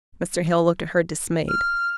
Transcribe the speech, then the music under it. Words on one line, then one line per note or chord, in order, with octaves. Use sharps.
Mr. Hale looked at her dismayed.
F6